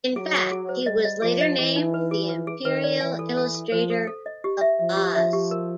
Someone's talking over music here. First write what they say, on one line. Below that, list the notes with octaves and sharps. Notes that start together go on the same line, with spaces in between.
In fact, he was later named the Imperial Illustrator of Oz.
F#3 G#4
G#4
G#4
C5
G3 D#5
D#5
F3 G#4
D#5
E3 G#4
D#4
B4
G#4
B4
G#4
D#3 B4
D5
E3 G#5
A4
A4
A4
F3 C5
A4
A4
D#5
G4
E5
F3 E5
G4
F3 E5
G4
A#4